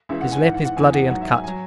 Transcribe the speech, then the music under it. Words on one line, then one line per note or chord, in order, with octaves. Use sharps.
His lip is bloody and cut.
C#2 C#3 E3 E5
F#5
G#5
G#2 E3 F#5
F#5
F#5
E2 E3 G#5
F#5
G#2 F#3 F#5
E5
G#5
F#3 G#5